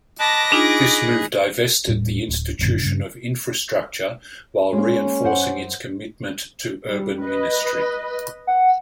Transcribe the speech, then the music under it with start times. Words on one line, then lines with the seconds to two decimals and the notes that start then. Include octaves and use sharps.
This move divested the institution of infrastructure while reinforcing its commitment to urban ministry.
0.19 D#5 A5 B5 D6 F#6 A#6
0.52 D4 D#4 F4 G#4
1.87 D#1 A2 G3
2.28 D1
2.59 G1 F#2 A#2 D3
2.83 G2 C#3
4.73 G#3 A#3 C#4
5.23 F#2 C5 F#5
6.87 G3
7.21 B4 D#5
8.47 F#5